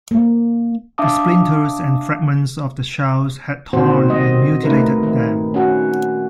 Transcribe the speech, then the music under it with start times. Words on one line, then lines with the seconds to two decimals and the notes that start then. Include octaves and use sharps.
The splinters and fragments of the shells had torn and mutilated them.
0.11 A#3
0.98 D4 E5 F5 A5 D6 D#6
3.73 A#2 D#3 C4 F#4 C5
4.08 G3 D#5
4.64 A3 D#4 A#4 B4
5.03 D#3
5.54 C#4 F#4